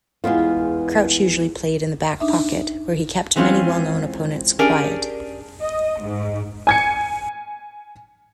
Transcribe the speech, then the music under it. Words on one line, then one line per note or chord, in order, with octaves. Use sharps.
Crouch usually played in the back pocket, where he kept many well-known opponents quiet.
E2 G#3 B3 F4
D4 D#4 E5
E3 G#3 C4 C#4 F4
C#4 D4 G4 G#4 A#4 D5
D#5
G#2
G#5 G#6 C#7